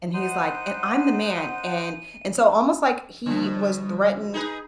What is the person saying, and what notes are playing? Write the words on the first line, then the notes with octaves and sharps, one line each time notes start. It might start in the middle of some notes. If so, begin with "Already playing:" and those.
And he's, like, "And I'm the man," and and so almost like he was threatened
D#4 C5 F#5 D#7
B2 D3 F3 G3
D#4 G#4 B4